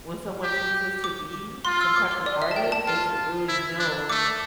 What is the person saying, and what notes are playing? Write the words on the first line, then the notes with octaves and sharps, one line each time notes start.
when someone chooses to be some type of artist, they should really know
G4
D6
F4 C6
E6
D6
C6
D5
E5
A5
G5
A5
F4 A5
E4
D4
A3 D6